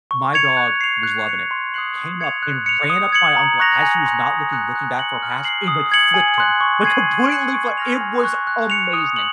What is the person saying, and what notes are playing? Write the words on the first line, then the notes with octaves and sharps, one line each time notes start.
my dog was loving it, came up and ran up to my uncle as he was not looking, looking back for a pass and, like, flipped him, like, completely flat, it was amazing.
C#6
G#6 C#7 F7
F#6
C7 F7
F#6
C#7 F7
C6
D#6 F#6 C7 F#7
D#6
G#6 C#7 F7
F#6
C#7 F7
D#6
G#6 C#7 F#7
A#5
C#6 F#6 A#6 F7
G#5
C6 F#6
D#6
F#6 A#6 C#7
F#6
C#7 F#7
F6
C7 F#7
D#6
G#6 C#7 F#7
G#5
C6 F#6
C#6
G#6 C7 D#7 F#7
C#6
F#6 C#7 F#7
C#6
F6 A#6 F7
G#5
C#6 F#6
F#6
C#7 F7
D#6
F#7